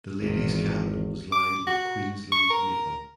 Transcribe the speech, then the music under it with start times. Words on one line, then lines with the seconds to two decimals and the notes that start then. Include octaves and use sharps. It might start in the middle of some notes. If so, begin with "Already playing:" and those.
The ladies cabin was lined with Queensland maple.
0.20 G#1 E2
1.32 D6
1.67 F#4
2.32 C#6
2.50 A#4